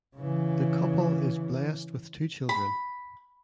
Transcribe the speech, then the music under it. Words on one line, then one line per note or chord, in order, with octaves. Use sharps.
The couple is blessed with two children.
C#3 E3
B5